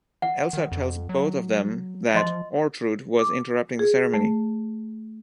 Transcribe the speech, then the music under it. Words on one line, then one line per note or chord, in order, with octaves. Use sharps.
Elsa tells both of them that Ortrud was interrupting the ceremony.
F#5
D#3
F2
F#3
F3 D#5 C6
D6
G#4
A3